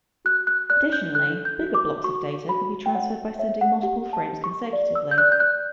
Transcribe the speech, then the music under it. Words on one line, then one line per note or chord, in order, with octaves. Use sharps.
Additionally, bigger blocks of data can be transferred by sending multiple frames consecutively.
F#4 F#6
F#6
D5 F#6
G6
A4 F#6
G6
F#4
D6
F#4 C#6
F#4 B5
G5
C#5 F#5
C#5 E5
F#5
G4 F#5
A5
G4
C#6
D5
E6
G6
D5 F#6
G6
F#6